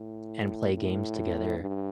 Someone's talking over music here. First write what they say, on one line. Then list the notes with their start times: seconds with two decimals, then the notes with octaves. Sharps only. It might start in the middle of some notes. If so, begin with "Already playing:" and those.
and play games together,
Already playing: A2
0.74 A2
1.60 G2